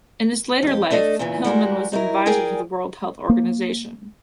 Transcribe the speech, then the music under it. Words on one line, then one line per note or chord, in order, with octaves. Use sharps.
In his later life, Hilleman was an adviser to the World Health Organization.
F2 G4
A3 D4 A4 D#5
E2 A#2 C#3 E3
G3 G#3 F#4 A#4
F#3 D#4 E4 A#4
G#4 A#4 D5 G5 G#5
A#3